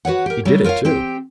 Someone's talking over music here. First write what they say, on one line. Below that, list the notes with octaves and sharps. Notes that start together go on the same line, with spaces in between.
He did it too.
F#4 B4 C#5 F#5
G4 A#4
F#3 G3 A3
F4 A#4 C5 C#5 F5
C4 G4 G5